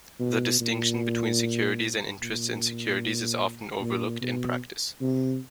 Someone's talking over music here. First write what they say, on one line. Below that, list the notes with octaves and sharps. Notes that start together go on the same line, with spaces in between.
The distinction between securities and interests in securities is often overlooked in practice.
B2
A#2
A#2
A#2
B2
C3